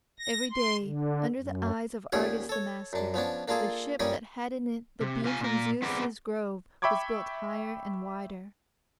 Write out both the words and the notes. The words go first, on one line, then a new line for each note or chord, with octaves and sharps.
Every day, under the eyes of Argus the master, the ship that had in it the beam from Zeus's grove was built higher and wider.
A#6
C6
D3
F#2
D#2 A#2 C#4 G4 G#4 F#5
A4 C#5
F#2 D4
F3 B3 C#4 D4
A#3 D4 F4 G#4 A4
G2 A#2 G3 C#4 G4 D#5
C3
C3 F4 G#5
A#2 A#4
B3 C4 G#4 A#4 B4 D5
E5 G5 B5 C#6 D6 G#6